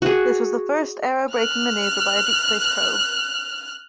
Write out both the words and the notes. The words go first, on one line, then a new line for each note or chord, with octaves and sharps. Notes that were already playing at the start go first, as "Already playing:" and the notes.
This was the first aerobraking maneuver by a deep space probe.
F#4 G#4
F6 F#6